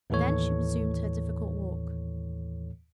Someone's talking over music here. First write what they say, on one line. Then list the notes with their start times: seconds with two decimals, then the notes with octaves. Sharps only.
Then she resumed her difficult walk.
0.10 D#2 A2 E3 A4 C#5